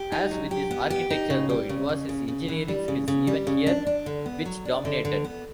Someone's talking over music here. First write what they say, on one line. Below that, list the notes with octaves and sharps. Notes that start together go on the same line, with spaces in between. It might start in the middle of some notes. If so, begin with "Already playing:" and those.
As with his architecture, though, it was his engineering skills even here which dominated.
Already playing: G4
D#4
F#3
G4
B3
G4
D#4
C#3
G3
C#3
C#3
C#3
C#3
E3
G3
C#3
C#3
G3
C#3
D4
D4
D3
B3
F#3
D4
D3
D3
B3